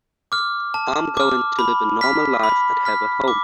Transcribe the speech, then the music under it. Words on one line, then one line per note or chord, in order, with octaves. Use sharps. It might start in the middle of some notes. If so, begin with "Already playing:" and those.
I'm going to live a normal life and have a home.
D6 F6
A5
D6 F6
B5
F6 B6
B5
F6 B6
D6